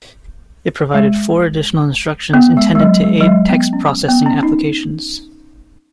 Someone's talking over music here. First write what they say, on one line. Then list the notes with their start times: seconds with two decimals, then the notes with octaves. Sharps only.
It provided four additional instructions intended to aid text processing applications.
0.94 G#3
2.34 B3
2.57 G#3
2.75 G#3
2.81 F#3
3.04 G#3
3.20 F#3
3.27 G#3
3.49 B3
3.73 C#4
4.09 B3
4.26 C#4
4.43 D#4